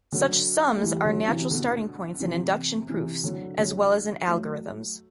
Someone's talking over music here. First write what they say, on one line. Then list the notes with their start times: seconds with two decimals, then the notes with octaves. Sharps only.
Such "sums" are natural starting points in induction proofs, as well as in algorithms.
0.12 D3 F#3
0.76 A3
0.82 E3 G3
1.05 D3 F#3
1.28 C3 E3
1.51 B2 D3
2.20 C3 E3
2.89 C3 E3
3.23 D3 F#3
3.58 D3 F#3
4.27 F#3 A3